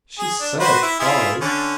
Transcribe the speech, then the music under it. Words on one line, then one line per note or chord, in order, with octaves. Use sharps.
"She said--follow."
G#4
D4
F#4 B4 C5
E4
E4 F4 G#4
D3 C#4